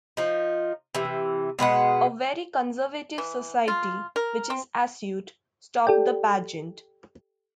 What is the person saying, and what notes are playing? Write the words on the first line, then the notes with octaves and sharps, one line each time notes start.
A very conservative society, which is Asyut, stopped the pageant.
F3 D#4
C3 E3
B2 G#3 B4 F#5
E3
F4
A#4
C4
G4 A4 D5 G5